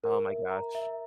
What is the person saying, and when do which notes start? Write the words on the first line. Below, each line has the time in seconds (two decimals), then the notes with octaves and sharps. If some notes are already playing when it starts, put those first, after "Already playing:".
Oh, my gosh.
0.04 A#4
0.28 E5
0.51 A#5
0.75 E5